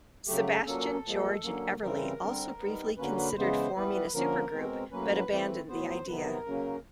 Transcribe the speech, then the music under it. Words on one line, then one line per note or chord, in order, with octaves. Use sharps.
Sebastian, George and Everly also briefly considered forming a supergroup but abandoned the idea.
C#3 F#3 A3 G4
G#4
A#2 F#3 A#3 C#4 A4
A#2 F3 G#3
D3 F#3 A#3 C#4
C#3 E3 G3 C4 A#4
D3 G3 C4
D#3 G3 B3
D3 F#3 A#3 C#4 B4
B4
C#3 E3 G#3 B3 C5
E3 G3 B3 B4
B4
D3 F3 A#3 C#4 A#4
B2 G#3 C4
A2 F#3 A#3 C#4 B4
E3 A3 C4
A2 F#3 B3 C5
C5
C3 D#3 F#3 B3 B4
A#4
C#3 F#3 A#3 C#4